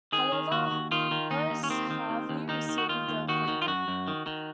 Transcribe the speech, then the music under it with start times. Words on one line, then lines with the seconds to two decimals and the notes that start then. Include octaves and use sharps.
However, Horace Harvey received the appointment.
0.12 D#3 G#4
0.32 D#3
0.51 D#2 F#4
0.71 D#2
0.91 D#3 F4
1.11 D#3
1.31 D#2 D#4
1.50 D#2
1.64 C#4
1.70 D#3 C4
1.90 D#3
2.10 D#2
2.29 D#2
2.49 D#3 D#4
2.69 D#3
2.78 F#4
2.89 D#2 F4
3.08 D#2
3.28 D#3 F#4
3.48 D#3
3.62 F4
3.67 F#2 F#4
3.88 F#2
4.08 D#3
4.26 D#3